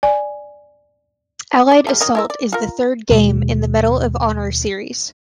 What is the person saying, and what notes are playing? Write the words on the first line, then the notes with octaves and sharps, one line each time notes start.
"Allied Assault" is the third game in the "Medal of Honor" series.
D5 G#5
D5
G3 A3
D#3 C#5 D#5
E4 A#4 E5
D5
F4 A#4
D#2 B2 G#3